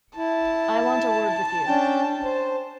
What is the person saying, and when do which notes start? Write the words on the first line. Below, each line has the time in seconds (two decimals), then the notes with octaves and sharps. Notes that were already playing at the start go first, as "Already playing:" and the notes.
I want a word with you.
0.17 E4 A5
1.67 C#4 D4 G5
2.24 C5